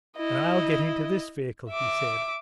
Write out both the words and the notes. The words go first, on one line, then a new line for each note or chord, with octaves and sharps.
"And I'll get into this vehicle," he said.
E4 D#5
E5 D6